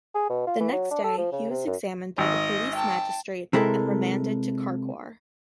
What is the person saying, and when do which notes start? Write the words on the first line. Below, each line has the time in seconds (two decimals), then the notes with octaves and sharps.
The next day he was examined by the Police Magistrate and remanded to Carcoar.
0.15 G#4
0.30 B2
0.47 F4
0.60 E3
0.72 F#3
0.91 D4
1.04 A4
1.18 F3
1.32 C#3
1.50 C3
1.67 F#2
2.18 G#1 D#5
2.75 G5 A5
3.53 C3 G#3 E4 A4 A#4